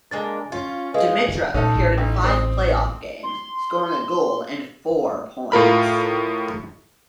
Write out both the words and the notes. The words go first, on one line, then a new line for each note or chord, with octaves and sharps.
Demitra appeared in five playoff games, scoring a goal and four points.
G#3 A#3 D4 A#4 A6
C#4 F4
G#3 G4 G#4 B4 F5
A#2 C#4 D#4 A4
A1
B1
C4 D#6
C6
A2 F4 A#4 B5